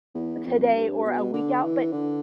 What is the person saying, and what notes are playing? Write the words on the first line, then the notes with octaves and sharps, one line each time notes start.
today or a week out. But
E2
F2
G2
B2
D3
E3
D3